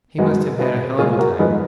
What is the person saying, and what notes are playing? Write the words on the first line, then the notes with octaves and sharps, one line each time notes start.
He must have had a hell of a time.
F#2 D#3 G#3 B3
B2 G#3 B3
A#2 G#3 B3 F4 G#4
F#4 A#4
F2 D#3 G#3 B3 G#4 B4